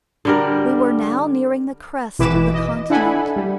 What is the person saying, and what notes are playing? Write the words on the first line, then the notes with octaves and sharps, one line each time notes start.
We were now nearing the crest of the continent.
D3 G3 A#4
G#1 B2 E3 B4 D6 E7
D#5
D4 E4 A4 F#5 G#5 B5
G3